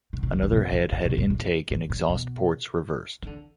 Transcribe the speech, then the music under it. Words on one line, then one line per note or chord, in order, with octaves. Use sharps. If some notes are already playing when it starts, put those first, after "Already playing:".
Another head had intake and exhaust ports reversed.
B2
A#2
G#2
D#3
B2
A#2
A#2
B2
A#2
A#2
G#2
A#2
B2
D#3
D3